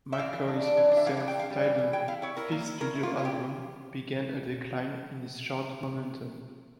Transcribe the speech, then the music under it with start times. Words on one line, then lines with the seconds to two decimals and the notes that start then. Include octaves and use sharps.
McCoy's self-titled fifth studio album began a decline in his chart momentum.
0.12 E5
0.18 E3 F5
0.33 E3
0.48 D4
0.62 D4
0.77 E3
0.91 D4
0.97 E5
1.06 E3 F5
1.17 F5
1.20 D4
1.28 G5
1.36 D4 F5
1.50 G3
1.64 E3
1.78 E3
1.93 E4 G5
2.08 E4 F5
2.22 E4 C#5
2.37 E4 A#4
2.52 A#3
2.66 E4
2.81 C#3 A#4
2.95 E4
3.03 F4
3.10 A#3
3.19 F4
3.24 C#3 G4